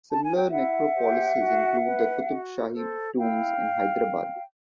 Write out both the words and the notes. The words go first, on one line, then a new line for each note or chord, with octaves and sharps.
Similar necropolises include the Qutb Shahi tombs in Hyderabad.
A5
G#5
G5
E4 E5 F#5
G4 C5
F#4
B4
F#4
A4 C5
E4 F5 G5